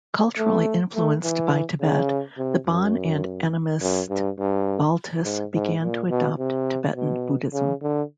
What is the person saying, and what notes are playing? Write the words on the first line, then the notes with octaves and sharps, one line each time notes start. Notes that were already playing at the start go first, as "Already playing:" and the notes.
Culturally influenced by Tibet, the Bon and animist Baltis began to adopt Tibetan Buddhism.
A3
A3
E3
C#3
C3
F#2
F#2
G2
G2
G#2
G#2
A#2
B2
C3
B2
C#3
D3